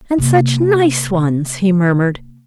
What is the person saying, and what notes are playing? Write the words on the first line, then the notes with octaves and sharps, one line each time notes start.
"And such nice ones," he murmured.
C3 A#3